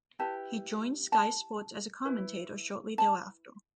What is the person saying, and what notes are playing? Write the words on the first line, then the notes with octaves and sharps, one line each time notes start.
He joined Sky Sports as a commentator shortly thereafter.
E4 G4 B4 A5
A5
E4 B4
A5